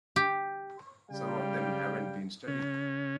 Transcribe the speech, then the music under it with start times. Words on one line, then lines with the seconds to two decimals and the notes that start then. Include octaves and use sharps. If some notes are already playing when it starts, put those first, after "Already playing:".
Some of them haven't been studied.
0.16 G4
1.10 C#3 G3 F5 G5
2.48 C#3 C#4